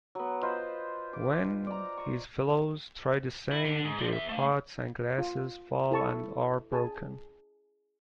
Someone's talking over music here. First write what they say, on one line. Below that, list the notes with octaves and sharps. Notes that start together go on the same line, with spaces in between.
When his fellows try the same, their pots and glasses fall and are broken.
F#3 B3
F4 B4 C5 D#5
D6
D5 A#5
C#6
E4
D3
G#2
F3 G3
B3 E5
A3 F5
F4
E4 A4 A5 C#6
G#4 G#5 A5